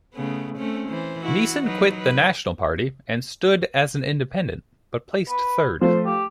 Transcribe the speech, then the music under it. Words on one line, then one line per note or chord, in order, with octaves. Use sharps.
Neeson quit the National Party and stood as an independent, but placed third.
C#3 A3 B3
A3 C4 C#4
E3 C5
E4 F#4
F#3 D#4 B4
B4
B4
F3 A3 C5
G4